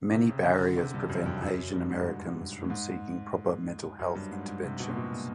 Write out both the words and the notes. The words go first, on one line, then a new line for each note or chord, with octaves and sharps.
Many barriers prevent Asian Americans from seeking proper mental health interventions.
C3
C#3
D3
C3
G2
F#2
F2
F#2
F#2
G2
G#2
A2
G#2
F#2
G2
G#2
G#2
C3
B2
A#2
B2
A#2